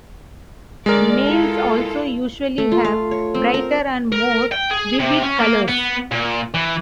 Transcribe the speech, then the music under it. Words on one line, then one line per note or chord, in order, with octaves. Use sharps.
Males also usually have brighter and more vivid colors.
D3 G#3 A#4 D5
E4 F4 A4
A3
F4
F5
C#5
C4
A#4
A#4
G5
G#4
C3
C#4
A#3
B3
A#2
E3